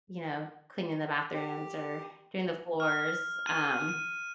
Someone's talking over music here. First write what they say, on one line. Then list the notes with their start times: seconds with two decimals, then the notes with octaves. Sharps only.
you know, cleaning the bathrooms or doing the floors, um,
1.34 G4
2.80 F6
3.47 D#7
3.89 D#7